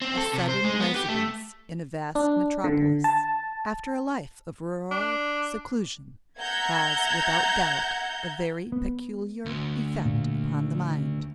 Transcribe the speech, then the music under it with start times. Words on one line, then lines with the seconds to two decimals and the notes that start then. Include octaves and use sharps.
A sudden residence in a vast metropolis, after a life of rural seclusion, has without doubt a very peculiar effect upon the mind.
0.01 C4
0.17 A4
0.33 C3
0.49 C5
0.64 G#3
0.80 B3
0.96 G4
1.09 A3
2.15 D4
2.64 D3
3.04 A5
4.91 D4
6.40 E5 F#5 A#5 G6 G#6
8.72 B3
9.46 D2
10.05 A#2